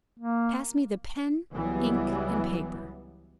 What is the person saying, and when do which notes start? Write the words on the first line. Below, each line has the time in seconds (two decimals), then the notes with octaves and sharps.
"Pass me the pen, ink, and paper."
0.19 A#3
1.53 C#2 E3 F#3 G3 B3